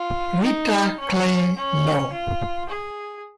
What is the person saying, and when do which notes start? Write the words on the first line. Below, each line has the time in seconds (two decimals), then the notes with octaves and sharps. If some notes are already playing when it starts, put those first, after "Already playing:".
Rita Clay Loam.
Already playing: F4
0.44 D#4
0.99 C#4
1.56 C#4
2.12 F4
2.69 G#4